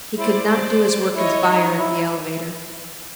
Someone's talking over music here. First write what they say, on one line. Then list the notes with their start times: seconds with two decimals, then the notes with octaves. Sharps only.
He could not do his work as buyer at the elevator.
0.18 E4 C5 D5
1.14 E4 C#5 D#5
1.47 D#4
1.79 E4